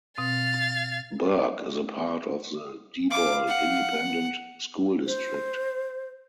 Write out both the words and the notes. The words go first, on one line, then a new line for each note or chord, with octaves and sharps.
Burke is a part of the Diboll Independent School District.
B2 C4 F5 A6
F5 D6
F#5
C5